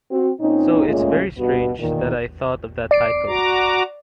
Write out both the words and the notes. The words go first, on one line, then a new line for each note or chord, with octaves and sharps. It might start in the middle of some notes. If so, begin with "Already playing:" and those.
So it's very strange that I thought of that title.
C4 F#4
A#2 C4 C#4 D#4
A#2 C#3 G#3 A3 C#4 F4
G2 B2 B3 F#4
E2 A#2 D#3
D5 C7 D7
F#4 A#5 D6